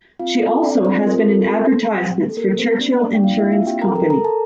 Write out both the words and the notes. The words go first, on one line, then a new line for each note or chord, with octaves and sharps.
She has also been in advertisements for Churchill Insurance Company.
C4 F4 F5
A4
C4 D4 D5
C4 F4 C5
F4 A#4
A4
C4 A#4
C4 A4
C4
G4
A#3
A4
A#3 A#4
C4 G4 C5
A#3 D4 D5
A#3 D4 D5
G5
A#3 F4 F5
E4 E5
D4
F4 F5
C4 G4 G5
A#4 A#5
A4
A#4 A#5
A4 A#4 A#5
A4 A5